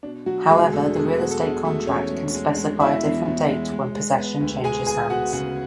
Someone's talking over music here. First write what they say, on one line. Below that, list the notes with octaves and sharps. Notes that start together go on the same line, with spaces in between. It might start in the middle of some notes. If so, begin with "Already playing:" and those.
However, the real estate contract can specify a different date when possession changes hands.
B2 D4
B2 F#3 F#4
E1 G#3 G#4
E2 A3 A4
E2 G#3 G#4
B2 F#3 F#4
A4
B2 G#3 G#4
B2 A3 A4
E2 C#4 C#5
G#3
G#3
G#3
B2 E4 E5
E2
E2
G#3
G#3
G#3
B3
D2
G#3 G#4 G#5
B3 G#4 G#5
B3 F#4 F#5
C#3 F#4 F#5